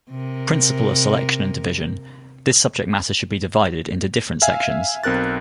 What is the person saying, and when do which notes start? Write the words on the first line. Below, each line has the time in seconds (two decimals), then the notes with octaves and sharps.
Principle of selection and division: This subject matter should be divided into different sections.
0.10 C3 A#4
4.42 E5 F5 G#5
5.03 B1 C4 A#4 F#6 A6